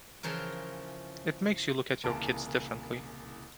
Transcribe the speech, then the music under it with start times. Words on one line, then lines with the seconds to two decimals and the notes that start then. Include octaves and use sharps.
It makes you look at your kids differently.
0.23 C#3 E3 F3 C#4 A#4
2.04 C2 A#2 C#3 E3 A5 D7